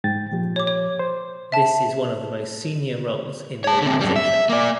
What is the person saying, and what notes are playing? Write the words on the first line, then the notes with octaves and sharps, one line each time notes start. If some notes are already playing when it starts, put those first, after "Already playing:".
This is one of the most senior roles in the organisation.
G#2 G5 A6
A#2 F3 G4
C#5 D6
C#5
C5
E5 A5
C#5 A5
D3 C4
F#2 G3
E5
A#3 D5